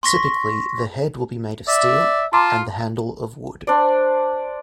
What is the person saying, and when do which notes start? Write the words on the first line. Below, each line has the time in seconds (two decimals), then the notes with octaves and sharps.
Typically the head will be made of steel and the handle of wood.
0.03 C6 C#6 A#6 B6
1.68 D5 E5
2.33 F4 A5 A#5 C6 D6
3.67 D4 C5 D5